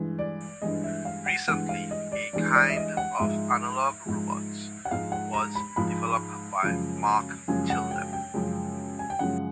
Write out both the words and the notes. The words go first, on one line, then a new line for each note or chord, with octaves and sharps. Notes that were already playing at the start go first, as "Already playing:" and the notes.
Recently a kind of analog robots was developed by Mark Tilden.
Already playing: G2 E3 G#3
D5
G2 E3 G#3 D#5
E5
F5
F#5
G2 E3 G#3 F#5
F5
D#5
D5
G2 E3 G#3 D5
D5
E5
D#5
F#5
G#2 F3 G#3 E5
G#2 F3 G#3
F#5
G#2 F3 G#3 F5
F#5
A#5
B5
G#2 F3 G#3 B5
F#2 C#3 F3 G#3
F#2 C#3 F3 G#3 G#5
F#5
G5
G5
F#2 C#3 F3 G#3
G#5
G5
F#2 C#3 F3 G#3 F#5